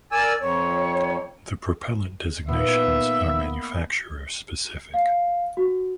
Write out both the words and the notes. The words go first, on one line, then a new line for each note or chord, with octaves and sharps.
The propellant designations are manufacturer specific.
A#4 D5 G#5 E6
F2 C#5
A#2 A#3 B3 D#4 E5
F5
F#4